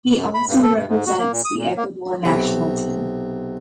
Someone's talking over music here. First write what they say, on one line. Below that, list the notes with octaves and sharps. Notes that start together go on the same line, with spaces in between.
He also represents the Ecuador national team.
F#2
B5
G2
A4
G2
G#2
F#4
A#3
A#2
D#6
A#2
A#3
B1 C3